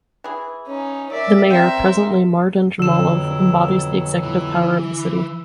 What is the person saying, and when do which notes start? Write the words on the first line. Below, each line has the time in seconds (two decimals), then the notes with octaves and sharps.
The mayor, presently Mardan Jamalov, embodies the executive power of the city.
0.24 E3 G#4
0.67 C#4 D#4
1.11 A#4 D5 E5
1.51 C4 A#4 E5 G5 C6
2.79 F2 B2 D3 F#3 E6 E7
4.23 E3